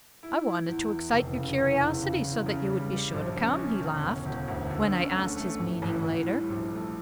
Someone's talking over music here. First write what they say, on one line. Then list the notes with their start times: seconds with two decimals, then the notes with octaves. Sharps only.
"I wanted to excite your curiosity so that you would be sure to come," he laughed, when I asked his meaning later.
0.23 E4
0.46 E4
0.68 E2
0.90 E3
1.13 F1
1.35 C#3
1.57 E2
1.80 E2
2.02 C#3
2.24 E2
2.46 C#3
2.69 G3
2.91 G3
3.14 A#1
3.36 C#4
3.59 C#4
3.81 E1
4.03 E1
4.25 E1
4.48 D2
4.70 D3
4.93 C#4
5.16 A3
5.37 A3
5.59 A1
5.82 A1
6.05 A1
6.27 G3
6.49 A#1
6.72 A3